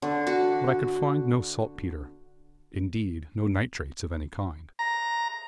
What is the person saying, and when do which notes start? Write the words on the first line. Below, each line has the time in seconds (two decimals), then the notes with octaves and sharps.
But I could find no saltpeter; indeed, no nitrates of any kind.
0.02 D3
0.27 F#4
4.79 A#5